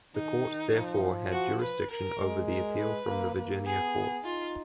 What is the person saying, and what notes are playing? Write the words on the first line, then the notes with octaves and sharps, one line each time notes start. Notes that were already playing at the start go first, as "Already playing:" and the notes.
The Court therefore had jurisdiction over the appeal from the Virginia courts.
D#3 D#4
F3
F#4
B4
A#4
G#3
A#4
B4
A#3
A#3
B3 G#4
D#4 F4